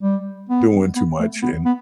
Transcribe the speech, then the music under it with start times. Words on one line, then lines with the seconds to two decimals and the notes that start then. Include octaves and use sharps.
doing too much, and
0.03 G3
0.49 B3
0.96 B3
1.20 A3
1.42 B3
1.66 B3